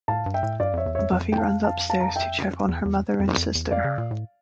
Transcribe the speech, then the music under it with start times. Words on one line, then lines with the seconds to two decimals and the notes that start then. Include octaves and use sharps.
Buffy runs upstairs to check on her mother and sister.
0.08 A2 F5 A5
0.26 G2
0.34 E5 G5
0.43 A2
0.60 G2 D5 F5
0.73 F2 C#5 E5
0.86 E2
0.95 F2 C#5 E5
1.12 F2
1.32 G5
1.38 F5 A5
1.64 F5 A5
1.89 F5 A5
2.00 A#5
2.08 A5
2.16 E5 G5
2.68 E2
2.85 E2
3.20 F2
3.37 F2
3.55 E2
3.71 F2 D5 F5
3.84 C#3
3.98 A#2
4.11 A2